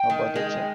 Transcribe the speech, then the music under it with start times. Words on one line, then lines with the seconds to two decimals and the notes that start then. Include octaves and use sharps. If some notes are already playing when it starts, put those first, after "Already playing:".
How about that check?
Already playing: G5
0.10 D#3
0.36 G#3